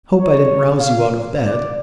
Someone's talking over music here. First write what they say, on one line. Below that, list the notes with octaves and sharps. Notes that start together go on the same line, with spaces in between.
"Hope I didn't rouse you out of bed."
C#5
F5
D5